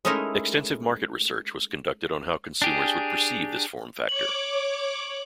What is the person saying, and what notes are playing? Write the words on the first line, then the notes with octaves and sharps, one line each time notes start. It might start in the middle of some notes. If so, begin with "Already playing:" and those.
Extensive market research was conducted on how consumers would perceive this form factor.
G#3 A3 C#4 D#4 E4 A#4
D4 G4 G#4
C#5 D6 F#7